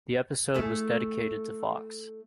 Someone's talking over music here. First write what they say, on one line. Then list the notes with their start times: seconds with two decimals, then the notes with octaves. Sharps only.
The episode was dedicated to Fox.
0.54 A3 E4 G#4